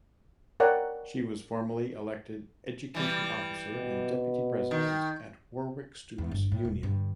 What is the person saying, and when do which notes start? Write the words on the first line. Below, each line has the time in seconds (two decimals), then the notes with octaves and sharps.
She was formerly elected Education Officer and Deputy President at Warwick Students’ Union.
0.60 A#4 C#5 D5 F#5 G5
2.95 E3 G3
3.73 B2
4.71 D#3
6.18 E2
6.31 G1
6.52 A2
6.65 E1
6.83 G2 D3